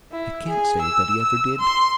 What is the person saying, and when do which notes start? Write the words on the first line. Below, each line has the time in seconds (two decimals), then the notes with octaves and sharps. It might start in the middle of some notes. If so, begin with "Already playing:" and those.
"I can't say that he ever did."
0.12 E4
0.46 G#4
0.82 E6
1.22 E6
1.59 C6